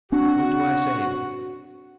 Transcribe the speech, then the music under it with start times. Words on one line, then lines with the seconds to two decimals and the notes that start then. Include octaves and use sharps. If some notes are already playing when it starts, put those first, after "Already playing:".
What do I say?
0.12 C4 D4 F#4